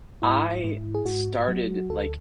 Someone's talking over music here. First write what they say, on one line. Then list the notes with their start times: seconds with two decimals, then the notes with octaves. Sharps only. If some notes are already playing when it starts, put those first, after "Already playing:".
I started, like,
0.22 G#2 E4
0.64 G#2
0.95 G#4
1.06 G#2 F#4
1.48 F#3
1.89 D2 A4